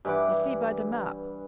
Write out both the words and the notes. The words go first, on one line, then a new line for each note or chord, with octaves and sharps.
You see by the map.
G2 E3 F#5 D6